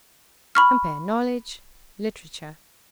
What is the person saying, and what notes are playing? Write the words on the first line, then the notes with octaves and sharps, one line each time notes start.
Compare KNOWLEDGE; LITERATURE.
B5 C#6 F6